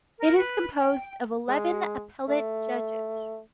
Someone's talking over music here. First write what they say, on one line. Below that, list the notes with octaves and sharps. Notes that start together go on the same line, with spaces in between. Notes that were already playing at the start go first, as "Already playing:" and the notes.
It is composed of eleven appellate judges.
A#4
B4
G5
G#3
A3